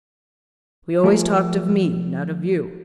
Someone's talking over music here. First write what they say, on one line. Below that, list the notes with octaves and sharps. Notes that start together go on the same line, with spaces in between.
We always talked of me, not of you.
F3 A3 G#4 A#4 E5